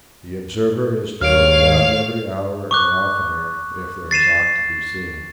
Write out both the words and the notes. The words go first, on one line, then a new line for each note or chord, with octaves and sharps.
The observer is to look round every hour or oftener if there is aught to be seen.
D#2 C#5 F5 F6 D7 F7
C#6 D6 F#6
A6 C7 D#7 E7